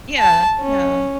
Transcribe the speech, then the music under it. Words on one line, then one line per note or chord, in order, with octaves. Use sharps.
Yeah, yeah.
A5
C#4